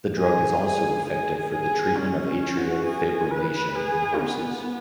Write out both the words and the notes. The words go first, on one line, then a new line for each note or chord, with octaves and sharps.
The drug is also effective for the treatment of atrial fibrillation in horses.
G#4
G#4
G#4
G#4
C#4
C#4
F#4
G#4
B4
G#4
B3